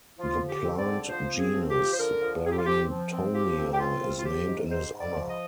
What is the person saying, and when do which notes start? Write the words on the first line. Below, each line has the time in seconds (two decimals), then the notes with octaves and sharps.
The plant genus "Barringtonia" is named in his honour.
0.18 F3 F4
0.42 D3
0.48 G4
0.64 C4
0.79 D5
0.86 D3
1.09 F3 C5
1.32 C4
1.39 G#4
1.54 F3
1.70 G4
1.77 F3
1.93 C5
1.99 D3 A#4
2.22 F3
2.44 C4 G#4
2.51 G4
2.58 F4
2.66 C4 G4
2.90 F3
3.12 C4
3.34 F3 G4
3.57 C4
3.73 G4
3.79 C4 F4
4.02 F3
4.19 F4
4.25 F3 G4
4.47 G#2
4.69 G#2 C5
4.93 G#2
5.00 D5
5.15 F3
5.29 D#5